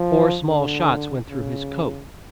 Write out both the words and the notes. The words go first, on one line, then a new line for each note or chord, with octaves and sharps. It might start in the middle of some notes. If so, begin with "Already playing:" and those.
Four small shots went through his coat.
Already playing: F3
D3
C#3